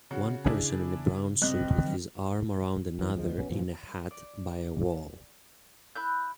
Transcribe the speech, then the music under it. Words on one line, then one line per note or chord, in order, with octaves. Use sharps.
One person in a brown suit with his arm around another in a hat by a wall.
C#3 F#4
C#3 D4 E4 G#4
G2 C4 D#5 F#6
D#3 F#3
F2 E3
D2 F3 F#3 G#3
A#1 B2 B3 C#4
F2 A#2 E3 F3
D5
E4 F#6 G6